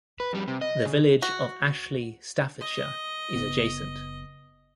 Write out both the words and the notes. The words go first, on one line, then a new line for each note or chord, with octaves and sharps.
The village of Ashley, Staffordshire is adjacent.
B4
F2 G3
C3
D#5
C#3
F#4
D#5
F#1 C#3 B3